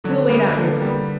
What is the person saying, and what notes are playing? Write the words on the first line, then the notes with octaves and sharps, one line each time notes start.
"We'll wait out here for you."
D3 F#3
G3 A#3 B3
D3 A#3
G3 B3